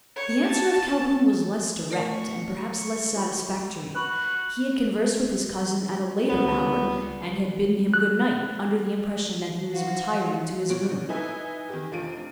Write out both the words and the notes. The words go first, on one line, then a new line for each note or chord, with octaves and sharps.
The answer of Calhoun was less direct, and, perhaps, less satisfactory. He had conversed with his cousin at a later hour, and had bidden him good night, under the impression that he was retiring to his room.
C#5
A5
A3 A#4 D5 C#6
F4 G4 C#5
F#4 B4 B5 C#6 F#6
C#2 G3 B3
F#6
F#4 C5 F5
A#2 F#4 C#5 D7
D#4 E4 B4 E5 G#5
D#3 G4
F1 D4 F4 D7 D#7